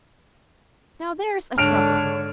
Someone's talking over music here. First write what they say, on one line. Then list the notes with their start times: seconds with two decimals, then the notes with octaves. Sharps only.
Now, there's a trouble.
1.58 G#2 D3 D4 C#5 F6 D7 F7